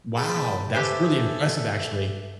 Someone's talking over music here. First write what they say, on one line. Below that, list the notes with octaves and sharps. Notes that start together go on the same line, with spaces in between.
Wow, that's really impressive, actually.
G#4 G5 A5 B5
G4 A4 B4 C5 E5 G#5